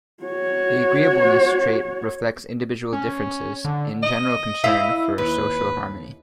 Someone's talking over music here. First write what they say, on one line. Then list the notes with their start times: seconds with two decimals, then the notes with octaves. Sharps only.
The agreeableness trait reflects individual differences in general concern for social harmony.
0.24 F#4 C#5
2.93 C#4
3.65 D3
4.03 D#5
4.64 E4 E5 F5
5.18 D#2 B4